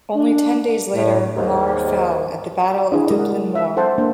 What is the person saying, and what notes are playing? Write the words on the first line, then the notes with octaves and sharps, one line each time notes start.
Only ten days later Mar fell at the Battle of Dupplin Moor.
D4
A2
D#2 G#2
D4 E4 G#4
G#3 A#4 D5 D#5
F#5
E5
A4 C5 F#5 A5
A#3 D4 C5